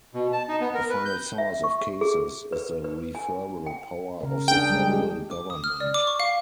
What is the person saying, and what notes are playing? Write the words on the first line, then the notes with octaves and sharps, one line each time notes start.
A final source of cases is the referral power of the federal government.
B2
A5
D#4
B3
A#4
B4
G6
E5
C#6
G#4
B4
B4
G#5
G5
C#3 A#4
D4 G#4 G5
G3 G#3 G#4
G4 G#4
D6
D#6
F6
D5
D6
C#6
F5